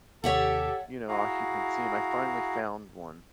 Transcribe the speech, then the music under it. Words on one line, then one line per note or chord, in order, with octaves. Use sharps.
you know, occupancy, and I finally found one.
D#2 C3 G4 A4 C#5 E5 F#5
E4 F#4 G#4 F5 A#5